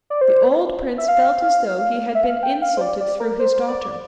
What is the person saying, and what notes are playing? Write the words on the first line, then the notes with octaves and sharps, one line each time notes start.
The old prince felt as though he had been insulted through his daughter.
D5
C5
E5
F5
E5
F5
G5
F5
C5
D5
D5
A#4
C5
D5